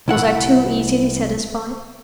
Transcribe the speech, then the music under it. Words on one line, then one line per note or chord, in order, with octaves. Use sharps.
Was I too easily satisfied?
C2 E4 F#5